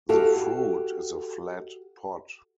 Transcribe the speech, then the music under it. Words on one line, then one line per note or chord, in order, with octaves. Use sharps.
The fruit is a flat pod.
F#4 G4 A4 F5